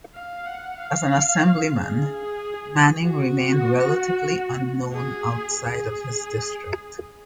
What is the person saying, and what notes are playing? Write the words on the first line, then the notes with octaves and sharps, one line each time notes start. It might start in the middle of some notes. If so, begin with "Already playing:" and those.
As an Assemblyman, Manning remained relatively unknown outside of his district.
F5
F#5
F5
G#4
F#4
G#4
G#4